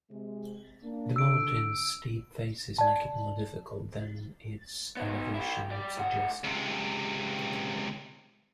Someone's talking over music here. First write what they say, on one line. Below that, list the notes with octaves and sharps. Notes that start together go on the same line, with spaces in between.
The mountain's steep faces make it more difficult than its elevation would suggest.
C3 G#3
A#3 D4
D3 E6 D7
D5 A5
B3 D#4
E4 G4
G3 D5
A2 F#5
C#2 C3